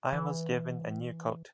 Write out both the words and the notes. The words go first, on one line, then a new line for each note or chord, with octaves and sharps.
I was given a new coat.
E3